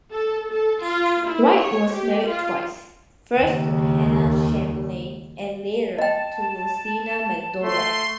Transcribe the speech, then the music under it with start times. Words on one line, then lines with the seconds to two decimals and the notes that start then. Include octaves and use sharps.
Wright was married twice: first to Hannah Chamberlain and later to Rosina McDowell.
0.12 A4
0.51 A4
0.82 F4
1.27 E4
1.59 C#5
1.92 G4
2.28 F4
3.40 D#2 C#3
5.98 D#5 G5 A5
7.63 A3 C6